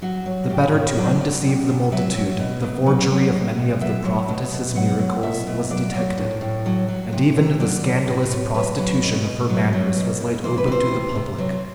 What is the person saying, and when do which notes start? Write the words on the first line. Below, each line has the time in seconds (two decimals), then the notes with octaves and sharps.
The better to undeceive the multitude, the forgery of many of the prophetess's miracles was detected; and even the scandalous prostitution of her manners was laid open to the public.
0.02 F#3 F#4
0.26 F#3
0.49 A2 G4
0.74 A2
0.97 F#3 D5
1.21 F#3
1.44 C3
1.68 C3
1.92 F#3 E5
2.15 F#3
2.39 B2
2.63 B2
2.86 F#3
3.10 F#3
3.34 B2
3.57 B2
3.81 F#3 E5
4.05 F#3
4.29 B2
4.52 B2
4.75 F#3 F#5
4.99 F#3
5.23 B2 E5
5.47 B2
5.70 F#3 D5
5.94 F#3
6.17 A2
6.41 A2
6.66 F#3
6.88 F#3
7.12 C3
7.36 C3
7.60 F#3 D5
7.83 F#3
8.07 A2 B4
8.31 A2
8.54 F#3 B4
8.78 F#3
9.02 B2
9.25 B2
9.49 F#3
9.73 F#3
9.97 B2
10.20 B2
10.44 E3 C5
10.58 B4
10.67 E3 C5
10.91 C3
11.15 C3
11.38 F#3